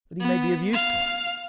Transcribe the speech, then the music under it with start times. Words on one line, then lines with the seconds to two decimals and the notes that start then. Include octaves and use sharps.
"But he may be of use to us."
0.20 B3
0.73 F5